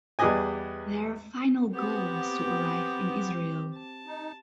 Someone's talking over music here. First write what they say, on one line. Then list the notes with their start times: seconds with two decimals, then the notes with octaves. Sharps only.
Their final goal was to arrive in Israel.
0.19 E2 G3 G#4 B4 D#5 G#5
1.73 B3 C4 G4
3.74 A5
4.07 D#4